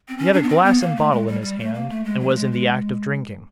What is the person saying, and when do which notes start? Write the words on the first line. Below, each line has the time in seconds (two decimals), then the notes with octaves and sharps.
He had a glass and bottle in his hand, and was in the act of drinking.
0.08 C4
0.18 C#4
0.33 D4
0.43 B3
0.49 C4
0.64 B3
0.80 A#3
0.96 A3
1.11 G#3
1.27 G3
1.42 G3
1.58 A3
1.74 A#3
1.89 A3
2.04 G#3
2.20 F#3
2.30 A3
2.35 G#3
2.52 G#3